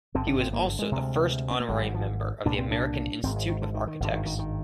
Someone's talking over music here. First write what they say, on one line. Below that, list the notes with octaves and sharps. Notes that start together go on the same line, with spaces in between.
He was also the first honorary member of the American Institute of Architects.
G#1 G2 D3 C4
D4
C4
A#3
G#3
D2 C3
C4
A#3
G#1 G#2 G#3
G3
F3
C2 A#2 D4
C4
D4
G#1 G#2 C4
G#3
D#3
D3
D#3
D#3
G#1 G2 D3
D#3
D#3
D#3